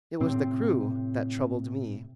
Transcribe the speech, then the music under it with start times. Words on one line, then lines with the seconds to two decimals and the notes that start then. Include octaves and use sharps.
It was the crew that troubled me.
0.20 A2 C3 C4